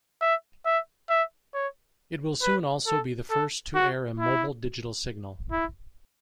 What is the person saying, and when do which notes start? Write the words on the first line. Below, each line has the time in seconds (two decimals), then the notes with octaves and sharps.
It will soon also be the first to air a mobile digital signal.
0.22 E5
0.65 E5
1.10 E5
1.54 C#5
2.42 B4
2.86 A4
3.30 A4
3.75 F#4
4.19 E4
5.52 E4